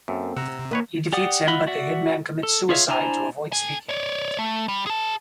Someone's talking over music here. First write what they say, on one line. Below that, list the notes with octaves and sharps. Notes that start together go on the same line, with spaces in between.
He defeats him but the hitman commits suicide to avoid speaking.
F#2 A#3 C4 A4
C3 F#5 A#5 E6
D#3 A#3 B4 C#5
G4 D5 F#5 D#6
F4 D#5 E5 F#5 B5
F#4 D5 E5 F#5
A4
F4 G#4 C#5 E5 F5
D4 E4 C5 G#5 A#5
A4 G#5
C#5 D5
A3
G3
G#4 A5